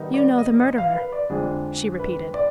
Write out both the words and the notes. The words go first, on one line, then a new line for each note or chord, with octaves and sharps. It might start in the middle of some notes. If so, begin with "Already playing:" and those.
"You know the murderer," she repeated.
Already playing: D#3 G3 B3 D#4
D5
D#5
D#5
F5
B4
D5
F2 D3 F3 G#3 D4 G#4
B4
D5